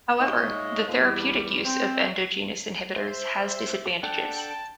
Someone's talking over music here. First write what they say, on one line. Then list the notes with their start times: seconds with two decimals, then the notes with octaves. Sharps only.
However, the therapeutic use of endogenous inhibitors has disadvantages.
0.20 A#2 G#3 D#4 C#5 D#5 E5
0.87 D#2 A#2 F3 C4 F4 B4
1.00 E2 G3
1.64 C4
2.96 C5 E5
4.03 D4 A4 F#5 G5 A5
4.37 A5